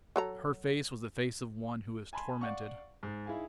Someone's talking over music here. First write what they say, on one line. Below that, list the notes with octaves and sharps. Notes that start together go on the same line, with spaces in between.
Her face was the face of one who is tormented.
F#3 A4 A#5
G#5 A5 B5 C6
D5 F5 F#5 C#6
G#2
D#4 E4 G#4 F5 G#5